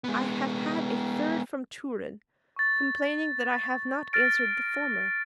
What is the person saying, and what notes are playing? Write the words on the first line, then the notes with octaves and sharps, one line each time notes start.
I have had a third from Turin, complaining that I have not answered the former.
G#3 B3
C#6 A6
F6 A6 A#6 D7